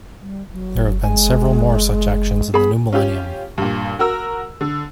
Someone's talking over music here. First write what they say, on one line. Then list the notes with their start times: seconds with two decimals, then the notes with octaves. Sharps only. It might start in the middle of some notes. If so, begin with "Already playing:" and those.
There have been several more such actions in the new millennium.
0.21 G3
0.53 F#3
1.04 G#3 G#5
2.54 B3 G#4 B5
2.93 C#4 F4 G4
3.58 G2 A#2
3.99 F#4 A#4 E6
4.61 D3